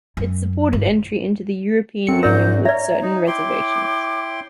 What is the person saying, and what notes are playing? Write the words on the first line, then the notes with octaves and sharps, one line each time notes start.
It supported entry into the European Union with certain reservations.
F#2
G1
F#2 C4 A4 C#7
G#2 A#4 D5 G6 A#6
C#5 D5 E5 A#5
D#4
E4 G5 C6 D6